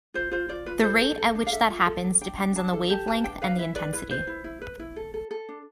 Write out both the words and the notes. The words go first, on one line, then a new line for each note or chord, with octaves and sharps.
The rate at which that happens depends on the wavelength and the intensity.
F4 C5
F4 C5
F4 D5
F4 B4
A4 C5
A4
A4
D4
F5
A4 E5
F4
A4
D4
D4 G5
D4
D4 A5
A4
G4 A5
B4 A5
D4 G5
B4 F5
E4 E5
B4 D5
E4 B4
B4 C5
E4
E4
B4
E4
A4
A4
A4
D4